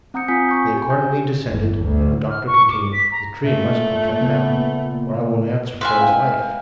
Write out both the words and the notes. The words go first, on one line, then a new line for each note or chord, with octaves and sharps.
They accordingly descended, and the doctor continued, "The tree must be cut down, or I won't answer for his life."
C4 F#5 A#5 D#6 G6 C#7
C4 F4 G#5 D#6 G6 B6
G#5 C#6 G6
G4 G#5
G6
G1 E2
D2
F6
C#6
D6
B6
A#5
A#2 A3
C#3 B3
B4 E5 G#5 C6 F6
G#3 F5 G5